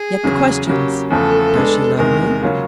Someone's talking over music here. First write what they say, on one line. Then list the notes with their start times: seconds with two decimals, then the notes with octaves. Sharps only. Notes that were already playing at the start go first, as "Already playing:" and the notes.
Yet the questions--Does she love me?
Already playing: G#4
0.23 E2 C#3 F#3
0.67 C#3 F#3 A#3 G4
1.10 E2 C#3 F3 A3 A4
1.55 G#3 B3 D4
1.98 E2 C3 D#3 G#3 A#4
2.42 C#3 F#3 A#3 C#4 F4